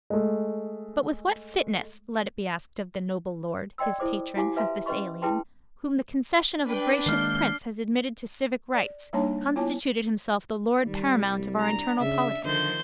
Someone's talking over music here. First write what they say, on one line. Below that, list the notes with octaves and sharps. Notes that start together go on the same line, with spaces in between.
But with what fitness, let it be asked of the noble lord, his patron, has this alien, whom the concession of a gracious prince has admitted to civic rights, constituted himself the lord paramount of our internal polity?
G#3 A3
D5 D#5 G5 C6 E6
E4 A4 C5 D6
E4 F#4 G4 F5 G#5 D6
B4 E5 F5 G#5 A#5 C6
C#4 B4 D#5 C6 C#6
E4 G#4 B4 G5 A5 C6
D4 B4 G5
D#3 G#3 A#3 F6 G6 C7
D5
G3 A#3 D4 D#4 C#5 A5
B3 E4 F4 C#5 G#5 A5
D#3 G3
C2
D4 A#5
C#3 E5
D3 D#3 F3 C5 G6